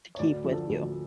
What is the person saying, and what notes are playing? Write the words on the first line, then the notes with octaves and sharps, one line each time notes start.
to keep with you.
C#5
D2 D5
F3
D3 A4
D2